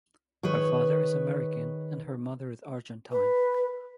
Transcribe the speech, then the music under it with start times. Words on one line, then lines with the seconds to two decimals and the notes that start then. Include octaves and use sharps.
Her father is American and her mother is Argentine.
0.43 D#3 G#4 B4 C#5
3.11 B4